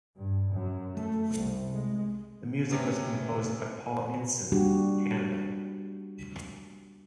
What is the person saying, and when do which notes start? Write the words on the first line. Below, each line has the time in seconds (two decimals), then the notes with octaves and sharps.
The music was composed by Paul Intson, of Canada.
0.16 G2
0.50 F#2
0.97 A3
1.35 C2
1.72 G#3
2.70 C3 B3 C#4
4.52 G3 A#3 D4 F#4 G4